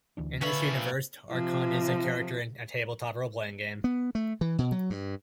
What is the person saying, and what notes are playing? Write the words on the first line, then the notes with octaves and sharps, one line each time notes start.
In this universe, Arkon is a character in a tabletop roleplaying game.
D2 E3 D4
A#2 D3 C#4 F4 B4 E5 B5
C3 F3
B3
A3
E3
B2
F#3
G2